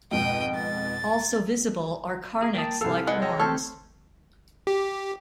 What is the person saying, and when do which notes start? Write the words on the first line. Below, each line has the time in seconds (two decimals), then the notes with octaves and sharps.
Also visible are carnyx-like horns.
0.11 F2 G#2 B2 G5 D#7
0.55 A6
2.42 G#4
2.54 A#3 G5 A5 D#6
2.81 C2 A4 F5 E6 C7
3.07 G#3 B4 F#5
3.22 C#5 D#5 G5 E6
3.40 A3 C4 G4 A4 C6 C#6 F6 G#6
4.67 G4